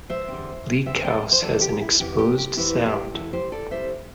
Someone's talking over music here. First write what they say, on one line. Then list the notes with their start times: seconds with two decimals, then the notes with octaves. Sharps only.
Bleak House has an exposed sound.
0.10 C5 E5
0.28 E2 D3 G3 C4
0.86 E2 D3 G3 C4 C5 E5
1.04 D5 G5
1.32 C5
1.42 E2 C3 E3 A4 D5
1.61 G4
1.81 E4
2.00 E2 C3 E3 G4
2.18 G4
2.38 G4
2.57 E2 C3 E3 E4
2.86 G4
3.14 E2 C3 E3 E4 A4
3.33 G4 C5
3.52 A4 D5
3.70 C3 G3 E4 C5 E5